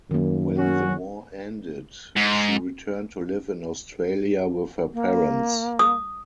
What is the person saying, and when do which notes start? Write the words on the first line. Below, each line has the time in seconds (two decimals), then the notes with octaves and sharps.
When the war ended, she returned to live in Australia with her parents.
0.11 F#2 D#3 A#3
0.58 F#3 C#4 F#4
2.16 G#2
4.93 A#3
5.79 D#6